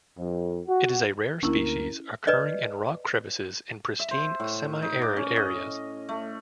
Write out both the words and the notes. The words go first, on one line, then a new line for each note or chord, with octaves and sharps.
It is a rare species occurring in rock crevices in pristine semi-arid areas.
F2
F#4
D2 A#3 C#4 D4 E4 A#4
B4 D5 D#5
E5
C5
A2
D#4
D6
C#4
D#5
A3